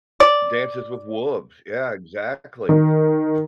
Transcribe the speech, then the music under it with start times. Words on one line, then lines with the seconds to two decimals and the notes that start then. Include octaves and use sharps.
Dances with Wolves, yeah, exactly.
0.20 D5
2.69 D#3